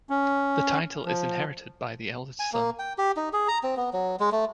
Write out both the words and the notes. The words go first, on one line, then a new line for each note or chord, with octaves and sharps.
The title is inherited by the eldest son.
C#4
F3
G#5
A#3
G5
G4
D#4
G#4
A#5
C4
B3
F#3
G#3
A3